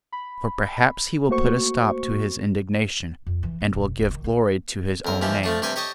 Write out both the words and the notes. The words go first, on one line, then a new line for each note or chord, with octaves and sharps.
For perhaps he will put a stop to his indignation, and will give glory to his own name.
B5
A3 A#3 F#4 C5 C#6
F2
E3
C#4
E1
D1
D#3
A#3
F2 A#4
D#2 E3 F3 G4
F3 A3 D4
G2 C3 G4 G5 G#5
G4 C#5 D#5 A5